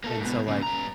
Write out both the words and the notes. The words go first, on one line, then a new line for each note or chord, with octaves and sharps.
and so, like,
A#3 A4
G#2 B2
A#2 C#3
G2 A#5